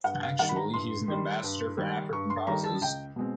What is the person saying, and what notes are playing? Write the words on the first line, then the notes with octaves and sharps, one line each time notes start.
Actually, he is an ambassador for African causes.
G2 F#5
F5
D#3 G3 F#5
B5
A#5
G2 C6
D#3 G3
G2
D#3 G3
G2 C#6
C6
D#3 G3 A#5
A5
C#2 G5
B2 G#3 C4